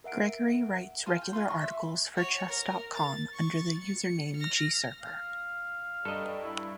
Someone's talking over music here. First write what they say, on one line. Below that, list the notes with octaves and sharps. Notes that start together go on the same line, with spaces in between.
Gregory writes regular articles for Chess dot com under the username "Gserper".
A#4 E5 F#5 D7
F4 G#5 A5 C6
G5
F4 B4 C6
C6 C#6
E5
F#4 C#5
A#4
A6
C#6 A6
C#7
F6 A#6
F5
G2 G3 A4 D#5 A#5
E4